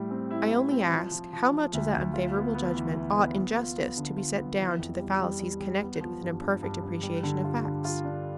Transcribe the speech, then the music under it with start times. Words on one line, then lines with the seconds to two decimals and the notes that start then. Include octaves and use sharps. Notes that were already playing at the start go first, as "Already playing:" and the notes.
I only ask--How much of that unfavourable judgment ought in justice to be set down to the fallacies connected with an imperfect appreciation of facts?
Already playing: A2 G3
0.11 C4
0.31 E4
0.51 E4
0.71 C4
0.92 F3
1.11 F3
1.33 F3
1.53 F3
1.73 D2
1.94 D2
2.14 F4
2.35 B3
2.54 B3
2.75 E3
2.96 E3
3.16 B3
3.36 B3
3.56 F4
3.77 B3
3.97 D3
4.18 F4
4.38 B3
4.58 E3
4.79 F2
5.00 G3
5.20 G3
5.39 G3
5.60 G3
5.81 B3
6.01 F3
6.22 G2
6.41 G2
6.62 G2
6.83 G2
7.03 G3
7.23 D3
7.44 F4
7.65 D3
7.85 F4
8.04 D4